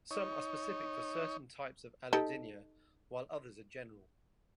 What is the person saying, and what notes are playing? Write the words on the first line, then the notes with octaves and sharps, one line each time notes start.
Some are specific for certain types of allodynia while others are general.
D#4 C#5
D#4 G4 A4